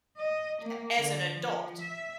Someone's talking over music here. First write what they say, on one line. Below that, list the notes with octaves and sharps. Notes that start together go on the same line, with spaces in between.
a as an adult.
D#5
A#3
D3
F3
E5